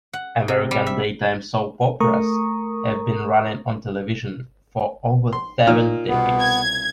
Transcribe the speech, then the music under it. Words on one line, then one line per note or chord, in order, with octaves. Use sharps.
American daytime soap operas have been running on television for over seven decades.
F#5
C3
G3
E5
A3 A#4 A#5 C#6 D#6
C6
A#2 D#4 F6
C2 B2 B3
G#6